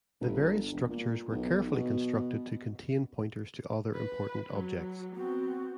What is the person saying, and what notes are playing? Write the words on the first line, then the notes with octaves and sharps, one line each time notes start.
The various structures were carefully constructed to contain pointers to other important objects.
G1
E1
A#2
B1
B2
B4
F#3
B3 C4 F#4